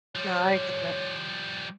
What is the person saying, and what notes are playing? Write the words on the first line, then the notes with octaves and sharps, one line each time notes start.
No, I get that.
F3 G3 C#5